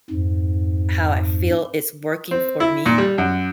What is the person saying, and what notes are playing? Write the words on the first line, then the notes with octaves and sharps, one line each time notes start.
how I feel it's working for me
F2 G#2
C4
E4
A#2
G3
F#2